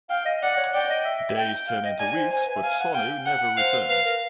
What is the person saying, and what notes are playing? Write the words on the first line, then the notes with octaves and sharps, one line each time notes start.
Days turn into weeks but Sonu never returns.
F5 G5
D#5
D5 F#5
C#5
D5 G5
D#5
E5
G5
F5
D#5
D5 G#5
C5
C5 G#5
B4
E5
F5 G#5
F#5
F5 G5
F#5
C5 F5
B4 F5
A#4